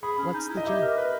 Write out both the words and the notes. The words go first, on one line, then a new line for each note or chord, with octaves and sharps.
What's the joke?
G#4 B5
C#4
D#4
E4
D#5
G4 E5
A#4
B4